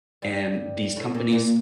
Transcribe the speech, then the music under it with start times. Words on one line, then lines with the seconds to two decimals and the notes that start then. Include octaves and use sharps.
em, these companies
0.22 G2 G3
0.96 A2 A3
1.14 A#2 A#3
1.32 A#2 A#3